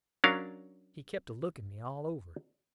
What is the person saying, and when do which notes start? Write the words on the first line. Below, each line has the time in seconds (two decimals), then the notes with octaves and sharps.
He kept a-looking me all over.
0.24 F#3 C#4 D4 A#4 F5